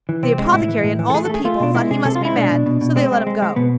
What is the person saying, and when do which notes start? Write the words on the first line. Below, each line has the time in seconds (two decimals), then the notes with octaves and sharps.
The apothecary and all the people thought he must be mad, so they let him go.
0.09 E3
0.23 C3 C4
0.38 G#3
0.53 A2 E4
0.68 E3
0.83 A2
0.99 E3
1.10 A4
1.14 A3 G#4
1.25 A4
1.30 A3 G#4
1.45 A3 F4
1.60 B2 D4
1.74 G#3 E4
1.91 C3 G#4
2.05 C3 A4
2.16 F4
2.21 G#3 E4
2.36 B2 D4
2.51 B2
2.66 B2
2.81 B2
2.96 G#3 C4
3.12 G#3
3.27 G#3
3.42 G#3
3.56 B2 B3